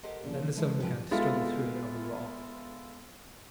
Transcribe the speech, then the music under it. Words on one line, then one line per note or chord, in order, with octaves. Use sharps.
Then the sun began to struggle through and we were off.
G4 A4 A#4 C5 D#5 F#5
A#2 C#3 E3 F3
D3 E3 G#3 E4 A4
G#2 F3 F#4 G4 B4 G5
G#3 B3 E4 F4 A4 F5